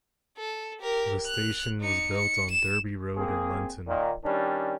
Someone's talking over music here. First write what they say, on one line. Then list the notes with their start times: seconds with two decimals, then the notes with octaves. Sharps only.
The station was built on Derby Road in Lenton.
0.37 A4
0.80 G4 A#4
1.26 F#6 F7
1.80 D#4 C#7
2.17 C#7
2.50 E7
3.18 A#3 C4 G#4
3.87 A#2 D#3
4.24 D#3 G3 C#4 D4